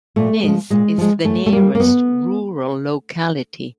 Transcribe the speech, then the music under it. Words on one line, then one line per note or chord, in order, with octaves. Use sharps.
Niz is the nearest rural locality.
A#2 A3
F3 G#3
A#2 G#3
F3 G#3
F#2 A3
A3
D#3 G3 A#3
A#3
F#2 B3